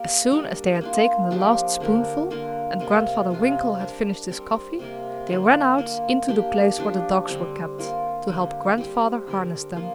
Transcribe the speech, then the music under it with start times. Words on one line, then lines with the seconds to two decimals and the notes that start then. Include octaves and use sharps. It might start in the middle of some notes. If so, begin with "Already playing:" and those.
As soon as they had taken the last spoonful, and Grandfather Winkle had finished his coffee, they ran out into the place where the dogs were kept, to help Grandfather harness them.
Already playing: A#3 G4 A#4
0.31 G3 D4 A#4
0.81 A#3 D4 F4
1.31 F3 D4 G4 A#4
1.80 D3 A#3 G4 A#4
2.30 D3 A#3 F4 A#4
2.80 C3 A#3 F4 A#4
3.30 C3 F3 D4 F4
3.80 G3 D4 A#4
4.29 G3 C4 A#4
4.79 C3 A#3 G4 A#4
5.29 D3 A#3 F4
5.78 A#3 F4 A#4
6.28 A#3 D4 G4
6.78 F3 D4 G4
7.28 D3 G3 C4
7.78 A#3 F4 A#4
8.28 D3 G3 A#3 G4
8.78 G3 C4 G4
9.27 D3 G3 C4 A#4
9.76 F3 A#3 F4